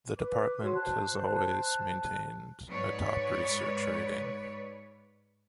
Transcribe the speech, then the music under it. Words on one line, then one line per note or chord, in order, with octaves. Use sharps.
The department has always maintained a top research rating.
B4 D6
F#4 C#5 C6
C5 A5 F#6
G#2 B4 C#5 D5